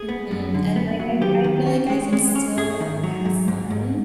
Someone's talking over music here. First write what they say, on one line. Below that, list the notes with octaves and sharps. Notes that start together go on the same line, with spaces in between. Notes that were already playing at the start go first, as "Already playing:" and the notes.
Mhm, and, like, I- I feel like I can still have fun
Already playing: G#4
B3
F#2
D3
B3
F#3
D#3 G4
D#3
C#4
G#3
G#3
C#4
G#2 G#4
D#3
F#3
G#2
G#2
G#2